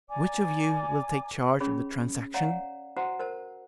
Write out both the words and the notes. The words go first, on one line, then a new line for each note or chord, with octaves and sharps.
"Which of you will take charge of the transaction?"
D5 G#5 A#5 D6
C#4 G#4 C#5 B5
C#5 D5 F5 F#5 A#5
F#4 C5 F#5 A5 A#5
A#4 C5 A5